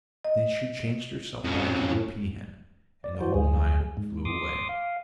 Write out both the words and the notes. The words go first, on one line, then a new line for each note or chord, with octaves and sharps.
Then she changed herself back into a pea-hen, and the whole nine flew away.
D#5
F2 C#4
D5
E3 F#4 C5
D2 G#4
G#2
C6 D6 D#6
F5